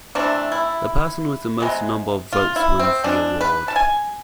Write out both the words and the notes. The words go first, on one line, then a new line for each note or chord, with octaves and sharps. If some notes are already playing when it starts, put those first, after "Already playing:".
The person with the most number of votes wins the award.
C3 E3 A3 C4 D4
E4
C3 G#3 B3
F4
E4
C4
B2 G#3 C4 D4
B4
A5
G#5